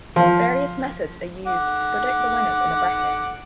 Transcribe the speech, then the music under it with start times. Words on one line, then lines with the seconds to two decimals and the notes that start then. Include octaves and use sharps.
Various methods are used to predict the winners in a bracket.
0.16 F3
1.47 F#5 D6